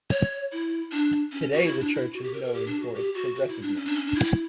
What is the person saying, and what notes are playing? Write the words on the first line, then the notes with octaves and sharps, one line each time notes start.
Today the church is known for its progressiveness.
C#5
E4
D4
C#4
F#4
E4
D4
E4
F#4
G4
A#4
A#4
G4
D4
F#4
G4
F#4
F#4
E4
D4
C#4
D4
C#4
D4
E4